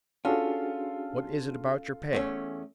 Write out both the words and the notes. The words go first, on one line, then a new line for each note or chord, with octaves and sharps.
"What is it about your pay?"
C#4 D4 F4 F#4 G#4 A4
E2 A3 C#4